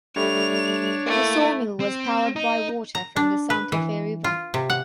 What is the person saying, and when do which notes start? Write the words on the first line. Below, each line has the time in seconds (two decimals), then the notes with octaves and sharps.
The sawmill was powered by water from the Santa Fe River.
0.16 G3 A3 D4 C#5 F7
1.06 A3 A#3 E4
1.80 C4
2.36 D#4
2.95 A#5
3.16 D4
3.50 B4
3.72 E3
4.24 F4
4.54 C3
4.70 F#5